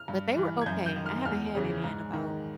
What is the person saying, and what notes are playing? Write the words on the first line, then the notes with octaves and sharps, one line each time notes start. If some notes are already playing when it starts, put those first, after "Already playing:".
But they were okay, I haven't had any in about,
Already playing: F6
G2
E3
G#6
F#2 G6
G6
D#3
F6
E2 F6
C#3 E3
G#2
D#3